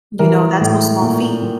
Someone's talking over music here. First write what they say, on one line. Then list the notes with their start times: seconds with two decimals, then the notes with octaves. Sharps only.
you know, that's no small feat.
0.19 E3 A#4
0.61 A2
1.02 A#2
1.42 A#2